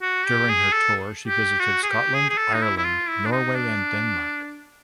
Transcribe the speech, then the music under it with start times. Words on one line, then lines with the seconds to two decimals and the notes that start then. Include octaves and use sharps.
During her tour, she visited Scotland, Ireland, Norway, and Denmark.
0.02 F#4
0.25 G4
0.49 G#4
0.73 A4
1.28 G4
1.59 F#4
1.83 G#4
1.91 G4
2.15 G#4
2.30 G#4
2.38 A4
2.54 D#4
2.62 E4
2.77 E4
2.84 F4
3.09 E4
3.26 D4
3.32 D#4
3.55 D4